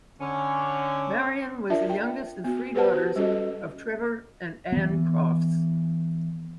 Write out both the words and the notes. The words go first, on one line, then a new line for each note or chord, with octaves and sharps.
Marion was the youngest of three daughters of Trevor and Anne Crofts.
D3 C#4
D4 F4 A#4 D5 E5 A5
G5
B3 F#4
G4 B4 C5 F#5 A5
F#4
G3 C#4 F#4 A4 D#5
E3 B3